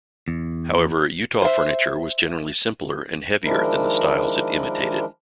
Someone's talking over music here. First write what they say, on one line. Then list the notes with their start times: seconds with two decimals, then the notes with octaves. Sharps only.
However, Utah furniture was generally simpler and heavier than the styles it imitated.
0.28 E2
1.42 C5 E5
3.44 D#3 F3 G#3 D4 E4 A#4